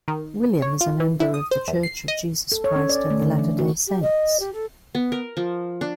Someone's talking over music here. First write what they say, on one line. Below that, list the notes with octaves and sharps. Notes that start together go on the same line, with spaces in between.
William is a member of The Church of Jesus Christ of Latter-day Saints.
D#3
C#5
F4
E3
E4
D#6
C5
E2
C7
D#5
A4
C#5
C#4
D5
A3
D3
E3
F#4
G4
D#5
G4
A4
B3
A#4
F3
D4